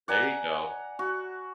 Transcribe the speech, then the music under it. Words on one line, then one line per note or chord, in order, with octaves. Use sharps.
There you go.
D5 F#5 G#5 A#5
F#4